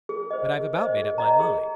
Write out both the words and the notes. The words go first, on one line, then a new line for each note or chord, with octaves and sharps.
But I've about made up my mind.
G#4
C5 D#5
G#4
C5 D#5
G#4
D#5 A#5
G#4